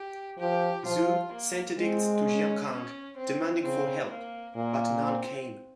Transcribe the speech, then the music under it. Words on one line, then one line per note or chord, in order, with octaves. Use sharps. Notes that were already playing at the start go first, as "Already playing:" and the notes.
Zu sent edicts to Jiankang demanding for help but none came.
Already playing: G4
F3 G4
F3 F4
A#3
G#3 C4
C#4
C#4
C4
C#3 C4
A#3
A#2 A#3
C4